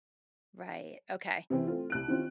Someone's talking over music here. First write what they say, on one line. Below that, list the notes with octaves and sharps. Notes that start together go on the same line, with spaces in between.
Right. Okay.
C3 E3 C4 C#4
A3 C4 F4
C2 F#6 D7
D#3 C4 C#4 F4